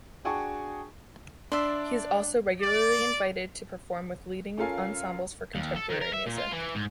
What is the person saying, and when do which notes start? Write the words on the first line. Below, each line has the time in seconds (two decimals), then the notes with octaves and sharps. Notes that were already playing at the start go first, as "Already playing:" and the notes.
He is also regularly invited to perform with leading ensembles for contemporary music.
0.24 D4 F#4 G#4 G5 A5 C#6
1.52 D4 D5 E5 C6
2.61 D5
4.58 C#4 F4 A4 A#4 F5 G#5
5.55 D#2
5.76 A4
5.90 D#3
6.02 A#4
6.14 E5
6.27 A#2
6.38 F4
6.53 E3
6.75 G#2